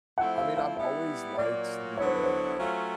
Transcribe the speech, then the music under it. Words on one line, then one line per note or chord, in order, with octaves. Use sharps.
I mean, I've always liked the, uh
F3 A3 C4 E4 F#5
F5
F5
G3 B3 E4 E5
A#2 F#3 A#3 D5
D3 F#3 B3 E4 C#5
C5
B4
C5
F#3 A3 C#4 F4